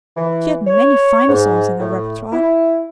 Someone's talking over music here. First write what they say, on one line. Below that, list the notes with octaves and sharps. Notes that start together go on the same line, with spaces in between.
She had many finer songs in her repertoire.
E3
C#5
G#2
A2
E4